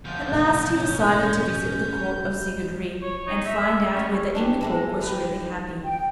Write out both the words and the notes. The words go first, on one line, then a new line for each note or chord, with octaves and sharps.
At last he decided to visit the court of Sigurd Ring and find out whether Ingeborg was really happy.
D2 F3 G6
E1 A2 C3
C#4
G3 G#3
C#5
D#4
E5
C#4
E3 G3 D4
E3 G#3 A4
D#4 G4 B4
G5